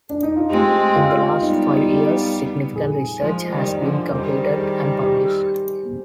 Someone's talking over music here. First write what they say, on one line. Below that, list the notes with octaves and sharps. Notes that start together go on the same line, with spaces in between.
In the last five years significant research has been completed and published.
D4
D#4
F4
G#3 C4 G4
F4
G3 B3 D#4
G4
G#4
F3 G#3 C5
D#3 G3
D5
D3 F3
D#3 G3 C5
G#4
G4